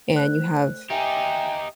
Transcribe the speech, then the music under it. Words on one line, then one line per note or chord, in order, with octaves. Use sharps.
and you have
A3 C5 F#6
D#4 G4 E5 G5 G#5